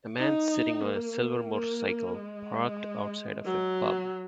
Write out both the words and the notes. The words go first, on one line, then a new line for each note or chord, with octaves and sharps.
A man sitting on a silver motorcycle, parked outside of a pub.
D#4
A#3
A#3
G#3
F#3